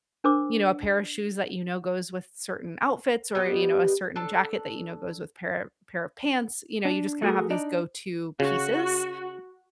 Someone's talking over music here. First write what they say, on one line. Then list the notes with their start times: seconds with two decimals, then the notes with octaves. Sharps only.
you know, a pair of shoes that you know goes with certain outfits or, you know, a certain jacket that you know goes with pair of pair of pants, you know, you just kinda have these go-to pieces,
0.24 D4 A#4 C5 D6
3.35 G3 B3 G4 D#5
4.16 D4 A4 A5
6.85 D4
7.22 A3 F#4 G#4 A#4
7.50 D4 D#4 D5
8.40 C#3 F#4